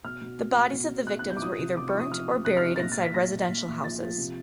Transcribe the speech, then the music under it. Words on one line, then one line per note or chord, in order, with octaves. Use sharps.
The bodies of the victims were either burnt or buried inside residential houses.
B2 F6
B2
B2
B2
B2
B2
B2 F#6
F#6
B2 G6
D6
F3 D#6
C3
C3 D6
C#6
F3
D#6
F3 F6
C3
C3 F#6
F6
F3
A6
A#2 A#6
A6
A#2
B6
A#2 A#6
A#2
A#2
A#2
F3 A6
F3
C3